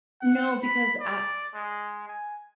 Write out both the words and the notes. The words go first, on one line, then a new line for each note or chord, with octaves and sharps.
No, because I
F#5
B5
D5
G#3
G#5